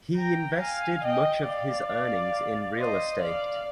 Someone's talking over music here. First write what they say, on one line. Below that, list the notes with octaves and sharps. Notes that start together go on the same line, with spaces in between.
He invested much of his earnings in real estate.
G5 A#5
F5 G#5
D#5 G5
D5 F5
C5 D#5
D5 F5